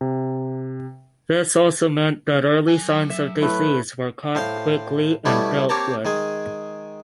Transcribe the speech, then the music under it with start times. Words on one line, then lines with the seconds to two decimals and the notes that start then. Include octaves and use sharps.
This also meant that early signs of disease were caught quickly and dealt with.
0.01 C3
2.68 F#3 G#5
3.10 E5
3.42 A2 A3 B4
4.35 A2 C5 F5 C6
5.25 B2 G3 A3 C#4 E4
5.69 A#3 C4 G4 C#5 A5 A#5
6.05 D#3 G#3 G#4